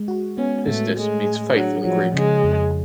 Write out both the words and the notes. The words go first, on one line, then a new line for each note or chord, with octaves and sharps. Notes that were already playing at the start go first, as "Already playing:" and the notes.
Pistis means "faith" in Greek.
Already playing: G#3
F#4
B3 C#4
A2 A3
G#3 A3
G#4
F#3 D4
F3 F#3
C#3 G#3
F2